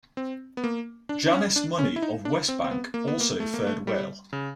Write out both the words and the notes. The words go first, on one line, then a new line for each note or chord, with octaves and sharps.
Janice Money of Westbank also fared well.
C4
B3
A#3
D4
D4
C#4
D4
C#4
E4
D#4
D4
C4
C4
B3
A#3
B3
A#3
A3
A#3
A3
G3
C#3